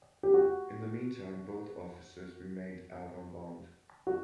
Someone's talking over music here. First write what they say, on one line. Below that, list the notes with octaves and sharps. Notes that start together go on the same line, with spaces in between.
In the meantime both officers remained out on bond.
G4
F#4
F#4